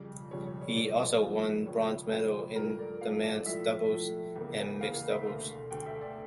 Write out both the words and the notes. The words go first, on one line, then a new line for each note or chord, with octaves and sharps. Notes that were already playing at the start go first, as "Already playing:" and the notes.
He also won Bronze Medals in the men's doubles and mixed doubles.
Already playing: F2 C#3 G3
F2 C#3 G3 C#5
C#5
C#5
G2 F3 A#3 D5
G2 F3 A#3
C#2 C#3 F3 C#5
C#2 C#3 F3
G2 F3 A3 A#4
D5
G2 F3 A3 F5
D5
A2 F3 A3 E5
A2 F3 A3
E2 C#3 E3 A#3
E2 C#3 E3 A#3 F5
F5
E5
D2 D3 A3 F5
D2 D3 A3 G5
E5
D5